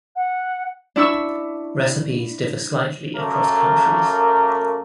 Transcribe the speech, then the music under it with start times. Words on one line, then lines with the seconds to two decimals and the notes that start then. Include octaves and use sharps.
Recipes differ slightly across countries.
0.16 F#5
0.96 D4 E4 C#6 E6
3.15 F#2 A3 A#3 A#4